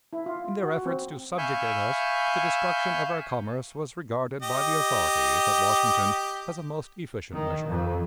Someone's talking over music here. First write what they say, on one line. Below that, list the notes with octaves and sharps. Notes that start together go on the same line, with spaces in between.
In their efforts to subjugate us, the destruction of our commerce was regarded by the authorities at Washington as a most efficient measure.
E4
F4
F#4
C4
E5 F5 G#5 B5 C#6 G6
G4 D#5
D#3
F2